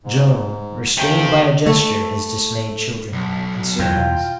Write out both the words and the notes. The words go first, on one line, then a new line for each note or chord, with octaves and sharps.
Joam restrained by a gesture his dismayed children and servants.
G#2
D#2 C3 A3 G5
A3
B1
E2 B2 F4 G5